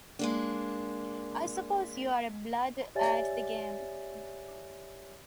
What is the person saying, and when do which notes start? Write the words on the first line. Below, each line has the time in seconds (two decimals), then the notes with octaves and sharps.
I suppose you are a blood at the game?
0.19 G#3 A#3 D4
2.95 G4 C#5 D5 E5 G#5 A6